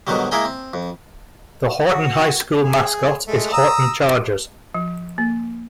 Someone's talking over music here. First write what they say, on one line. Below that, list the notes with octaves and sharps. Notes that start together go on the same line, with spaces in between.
The Horton High School mascot is Horton Chargers.
G#2 B2 D3 D#3 F#3 G3
G#3 A#3 E4 G#4 A#4 G5
C4
F2
F#4
G#4
G#3 A3
A#5 D#6 E6
F3
A#3